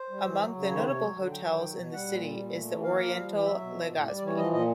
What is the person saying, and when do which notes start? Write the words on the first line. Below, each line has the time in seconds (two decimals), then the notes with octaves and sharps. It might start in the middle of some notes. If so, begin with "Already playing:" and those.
Among the notable hotels in the city is The Oriental Legazpi.
Already playing: C5
0.10 G3
0.24 E3
0.39 F#3
0.55 C#3
0.70 D#3 C#5
0.78 C5
0.85 C3 C#5
1.01 F#3
1.16 D3
1.31 F#3 G5
1.47 D#3
1.62 F#3
1.78 B2
1.93 G3 F#5
2.08 A#2
2.24 G3
2.39 A#2
2.54 A3
2.69 E3
2.84 A#3 F5
2.99 F3
3.15 G3
3.31 E3
3.45 F#3 E5
3.61 B2
3.76 F3
3.90 A2
4.06 G3 D5
4.16 D5
4.22 E3
4.27 C#5
4.37 F3 D#5
4.52 A#2 D#5